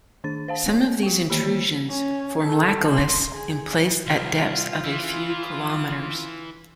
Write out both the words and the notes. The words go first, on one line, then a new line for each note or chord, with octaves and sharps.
Some of these intrusions form laccoliths emplaced at depths of a few kilometers.
D#3 D4 A6
C5 F5 A5
B3 C#5
F#4 G5
D#3 E3 A#3 G4 B5
C#4
A4
C6
G#4
C2 F4
E3